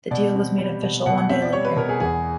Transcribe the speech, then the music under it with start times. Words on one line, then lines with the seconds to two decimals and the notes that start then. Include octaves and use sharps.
The deal was made official one day later.
0.11 B2 D5
0.35 C4
0.58 G3
0.82 B2
1.06 B2 F#5
1.18 F#5
1.29 C4 E5
1.42 D5
1.53 G3 C#5
1.65 B4
1.76 B2 A#4
1.89 G#4
2.00 E2 G#4